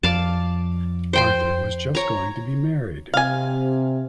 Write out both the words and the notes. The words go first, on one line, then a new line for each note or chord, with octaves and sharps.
Arthur was just going to be married.
F2 F3 D5 F5 A5
C5 G5 C6
C#5 A#5
C3 F5 G#5